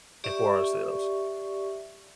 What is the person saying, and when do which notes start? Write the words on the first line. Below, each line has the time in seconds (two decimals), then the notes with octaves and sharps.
and for ourselves.
0.24 G4 D5 E5 C#6